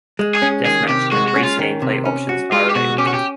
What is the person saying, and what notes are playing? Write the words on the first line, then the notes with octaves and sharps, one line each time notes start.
Deathmatch and race gameplay options are available.
G#3
G#4
C#4
D#3 G#4
C3 G4
G#3 F#4
F#4
C#4
F4
D#3
C3
C#4
F#4
G#3 F4
G4
B2 F#4
C#4 G4
F#4
G4